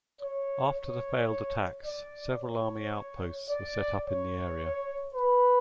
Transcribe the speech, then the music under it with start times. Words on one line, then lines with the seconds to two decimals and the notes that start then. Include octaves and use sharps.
After the failed attacks, several army outposts were set up in the area.
0.21 C#5
0.75 C#5
1.85 D5
2.40 C#5
3.50 D5
4.05 C#5
5.14 B4